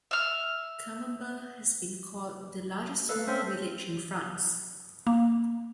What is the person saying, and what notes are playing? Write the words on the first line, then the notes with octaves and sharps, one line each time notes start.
Camembert has been called The largest small village in France.
E5 F6
A4 B4 F5
C4 C#4 C5 E5
A#3